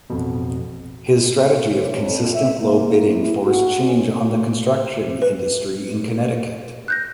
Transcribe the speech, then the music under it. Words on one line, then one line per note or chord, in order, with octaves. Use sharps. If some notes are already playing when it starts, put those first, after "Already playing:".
His strategy of consistent low bidding forced change on the construction industry in Connecticut.
A1 F2 B2
C#5
F2
E5
A#3
E4
F#4
C#4
B4
F#6 G6 A#6